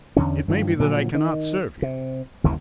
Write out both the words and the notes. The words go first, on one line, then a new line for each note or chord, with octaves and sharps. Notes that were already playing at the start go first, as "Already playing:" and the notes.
It may be that I can not serve you.
E2 D3 C#4
G2 D#3 F3
A#2 D3 F3 F#3
D#3
C3
G1 D#2 C#3 E3